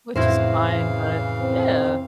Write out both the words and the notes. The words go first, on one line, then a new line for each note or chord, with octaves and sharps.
Which is fine. But, yeah.
F2 A2 C#3 E3 E4 F#4 C5 F5
C4